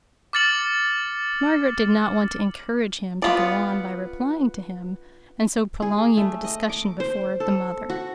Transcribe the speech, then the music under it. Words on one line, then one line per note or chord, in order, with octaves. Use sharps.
Margaret did not want to encourage him to go on by replying to him, and so prolonging the discussion before the mother.
D6 F6 A6 C#7 F#7
B3 F4 D5
G#4
A3
D#5
D6
C5
A4
F#4